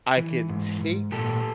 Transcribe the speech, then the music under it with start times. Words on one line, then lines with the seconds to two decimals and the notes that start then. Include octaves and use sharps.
I can take
0.17 E3
0.49 G#2
0.81 G#2
1.12 A#2 G4 A4